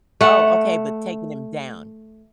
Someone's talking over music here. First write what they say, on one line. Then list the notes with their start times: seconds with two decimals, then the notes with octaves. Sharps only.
Oh, okay, but taking him down.
0.21 A3 F#5